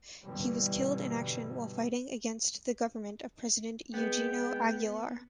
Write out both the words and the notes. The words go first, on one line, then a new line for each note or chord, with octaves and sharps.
He was killed in action while fighting against the government of President Eugenio Aguilar.
G2 B2 D3 E3 G3
G#3 B3 G5